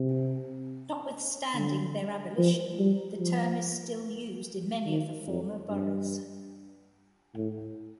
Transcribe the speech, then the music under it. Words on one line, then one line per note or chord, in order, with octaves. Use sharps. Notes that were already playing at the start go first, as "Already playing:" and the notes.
Notwithstanding their abolition, the term is still used in many of the former burghs.
Already playing: C3
D3
F3
G3
F3
D#3
F2
G2
A2